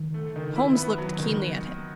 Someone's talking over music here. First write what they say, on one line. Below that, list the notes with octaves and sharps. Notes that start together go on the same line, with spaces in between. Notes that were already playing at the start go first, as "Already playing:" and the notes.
Holmes looked keenly at him.
Already playing: D#3
A3
D#3
E4
B3
F#3
D#3